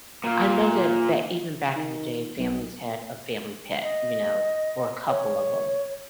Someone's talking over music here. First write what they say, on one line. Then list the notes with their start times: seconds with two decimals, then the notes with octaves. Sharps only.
I know that back even back in the day, families had a family pet, you know, or a couple of 'em.
0.24 A#2 A#3
1.76 D#3
2.39 B1
3.82 D#5
5.09 C#5